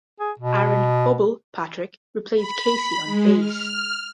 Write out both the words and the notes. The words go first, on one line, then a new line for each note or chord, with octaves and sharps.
Aaron "Bubble" Patrick replaced Casey on bass.
G#4
B2
B5
G#3
F6